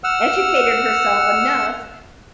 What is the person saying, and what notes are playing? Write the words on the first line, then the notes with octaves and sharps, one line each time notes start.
educated herself enough
F#5 E6 F6